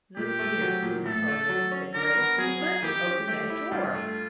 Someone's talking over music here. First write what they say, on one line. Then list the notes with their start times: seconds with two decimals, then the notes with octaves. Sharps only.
"Look here, Prudy Parlin," said Grace, "you mustn't open that drawer."
0.16 A#2 G4
0.39 A3
0.61 F#3
0.82 A#2
1.05 A2 A4
1.27 A3
1.49 F#3
1.72 C#4
1.94 D3 A#4
2.17 B3
2.38 F#3 G#4
2.61 D#4
2.83 E3 G4
3.06 C#4
3.27 A3 G4
3.50 E4
3.72 G2 F4
3.95 A3